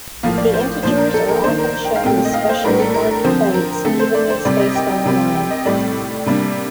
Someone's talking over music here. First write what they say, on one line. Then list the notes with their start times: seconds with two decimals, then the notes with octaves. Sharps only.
The integers are often shown as specially-marked points evenly spaced on the line.
0.23 A2 F3 A#3 F5
0.38 D5
0.53 C5
0.83 A#2 F3 A#3 D4 C5
0.98 A#4
1.14 A4
1.28 A#4
1.44 D#3 A#3 D4 C5
1.58 A#4
1.84 G5
1.96 F5
2.04 A#2 A3 C4 G5
2.25 D#5
2.34 F5
2.49 C5
2.64 A2 G3 D4 A#4
2.79 A4
2.94 A#4
3.24 D3 F3 C4 C5
3.54 A#4
3.85 D3 A3 C4 A4
3.99 C5
4.15 D5
4.30 C5
4.45 C3 G3 C4 D5
4.59 D#5
4.75 G5
4.90 G5
5.05 C3 G3 C4
5.35 G5
5.50 D#5
5.66 A2 G3 C4 D5
6.26 C3 G3 A#3 D4